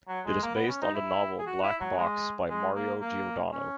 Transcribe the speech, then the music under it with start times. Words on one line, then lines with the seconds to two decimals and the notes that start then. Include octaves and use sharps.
It is based on the novel "Black Box" by Mario Giordano.
0.08 F#3
0.25 G#3
0.42 A#3
0.55 B3
0.68 C#4
0.81 D#4
0.94 E4
1.39 G#4
1.46 F#4
1.63 E4
1.80 F#3
1.97 G#3
2.50 G#3
2.75 A#3
3.01 A#3
3.52 C#4